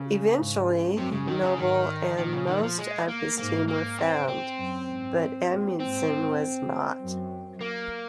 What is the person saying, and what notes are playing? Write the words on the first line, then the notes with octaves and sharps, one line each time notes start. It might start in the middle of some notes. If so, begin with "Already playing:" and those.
Eventually Nobile and most of his team were found, but Amundsen was not.
Already playing: C#3
G#2
F#2 C3
C#3
D#3
C#3
G#2 D#3
A#2 D#3
C#3
D#3
F3
G#3
A#3
G#2 A#3
A#3
C4
C4
F#2
G#2
A#2
G#2 C4
F#2
A#3